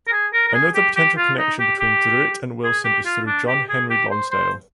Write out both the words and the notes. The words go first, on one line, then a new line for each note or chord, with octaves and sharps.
Another potential connection between Druitt and Wilson is through John Henry Lonsdale.
A#4
G#4
A#4
A#4
G#4
G4
G4
F4
D#4
G4
G4
G#4
G4
F4
D4
G4
G#4
G4
C5
C5